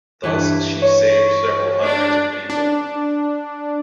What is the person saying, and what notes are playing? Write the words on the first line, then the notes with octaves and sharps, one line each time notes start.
Thus she saved several hundreds of people.
G2 E3 B4
C#5
D4
D4